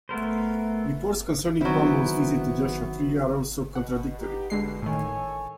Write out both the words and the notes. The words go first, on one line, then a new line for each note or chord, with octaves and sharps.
Reports concerning Pombo's visit to Joshua Tree are also contradictory.
A3 B3 A#4 C5
D#3 F#3 B3 C4 E4
B2 F#5
B3 D#4 G4
B2 D3 G#3 C7
A2 D#3 A4 C#5 G#5